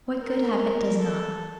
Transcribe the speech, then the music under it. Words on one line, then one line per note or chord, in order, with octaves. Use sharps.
What good habit does not?
A#4
A4